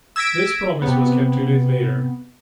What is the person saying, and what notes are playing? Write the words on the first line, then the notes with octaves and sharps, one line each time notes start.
This promise was kept two days later.
E6 G#6 A#6 B6 D7
C3 B3